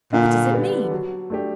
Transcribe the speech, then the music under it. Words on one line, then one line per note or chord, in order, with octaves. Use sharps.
"What does it mean?"
A#2 D3
G3 B3
F#3
A3 D4 G4